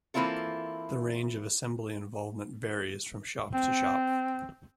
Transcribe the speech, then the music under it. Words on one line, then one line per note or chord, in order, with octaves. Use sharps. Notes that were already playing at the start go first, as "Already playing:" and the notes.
The range of assembly involvement varies from shop to shop.
E3 A#3 C4 E4 F4 A4
C4